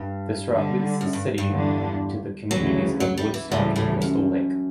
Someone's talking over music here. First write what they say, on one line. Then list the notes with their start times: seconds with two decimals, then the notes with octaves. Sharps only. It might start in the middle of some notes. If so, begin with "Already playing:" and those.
This route links the city to the communities of Woodstock and Crystal Lake.
Already playing: G2
0.51 D3 G3 D4
1.01 F#2
1.13 G2
1.38 G2
1.51 E2 D3 G3 D4
2.51 D2 C#3 E3 F#3 G3
3.00 F#3
3.17 G3
3.34 E3
3.51 D2 A2 C#3 E3 G3
3.76 A2
4.02 F#2